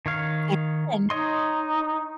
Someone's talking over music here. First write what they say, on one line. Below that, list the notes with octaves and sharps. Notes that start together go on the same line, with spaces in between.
An and
D#3 C#5 F5
D#4 C#5 D#5 C6